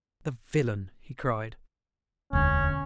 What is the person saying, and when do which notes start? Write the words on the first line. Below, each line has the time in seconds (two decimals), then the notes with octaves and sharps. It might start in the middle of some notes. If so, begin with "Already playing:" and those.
"The villain!" he cried.
2.33 E1 D2 C#4